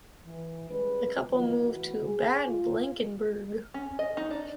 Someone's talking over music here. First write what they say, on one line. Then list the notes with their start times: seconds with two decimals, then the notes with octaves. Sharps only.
The couple moved to Bad Blankenburg.
0.26 E3
0.70 G3 G#3 C#4 B4
1.30 D#3 F3 F#3 B3 D#4 F4
1.64 A2 E3 F#4 B4
2.06 G#4
2.48 F4
3.74 C#4
3.99 D#5
4.17 D#4
4.31 D4